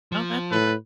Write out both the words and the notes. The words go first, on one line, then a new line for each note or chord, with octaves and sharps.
Oh, that's fine.
F3
A2 A4 B4